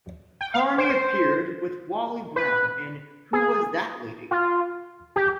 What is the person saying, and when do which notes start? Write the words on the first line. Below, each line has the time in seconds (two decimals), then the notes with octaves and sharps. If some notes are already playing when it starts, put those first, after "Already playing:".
Carney appeared with Wally Brown in Who Was That Lady?
0.41 G5
0.54 F5
0.78 C5
0.90 C5
2.36 B4
3.33 G#4
4.31 F4
5.16 G4